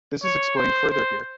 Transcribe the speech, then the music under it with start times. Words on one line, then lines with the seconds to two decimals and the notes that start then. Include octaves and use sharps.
This is explained further here.
0.23 C#5
0.57 C5
0.90 C5